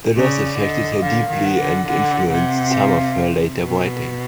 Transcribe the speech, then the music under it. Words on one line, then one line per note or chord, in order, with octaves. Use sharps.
The loss affected her deeply and influenced some of her later writing.
C#3 D5
D3 D#5
D3 F5
D#3
F#5
D3
D3 F#5
C3 F#5
F5
B2